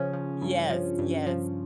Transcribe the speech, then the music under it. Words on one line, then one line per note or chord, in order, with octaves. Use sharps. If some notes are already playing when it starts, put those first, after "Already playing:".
Yes. Yes.
Already playing: C#3 F3 C#4
F3
G2
F3
G2
F3